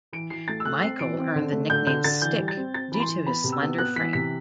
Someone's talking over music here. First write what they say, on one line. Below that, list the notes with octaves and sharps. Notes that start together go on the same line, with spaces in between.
Michael earned the nickname "Stick" due to his slender frame.
E3 D7
E3 C7
A3 A6
E6
A3 F#6
C4 C7
E3 D7
C4
D3
A3
D3 G6
D3 G6
D3 A6
E3 G6
G3
A6
C4
C4 A6
E3 B5
C6
E3
B3 B5
C3
E6
B3
B3 F#6
E3 B6
C3 B6